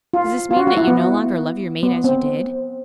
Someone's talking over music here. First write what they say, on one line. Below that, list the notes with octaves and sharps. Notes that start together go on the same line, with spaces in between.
Does this mean that you no longer love your mate as you did?
F4
F4
F#4
F#4
E4
B3
B3
C4